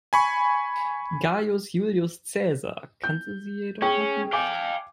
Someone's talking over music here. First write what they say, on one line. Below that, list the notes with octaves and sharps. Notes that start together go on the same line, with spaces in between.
Gaius Julius Cäsar kannte sie jedoch noch nicht.
G#5 B5 C#6
G6
C#4 G#4 G5 C#6
F5 G5 G#5 D6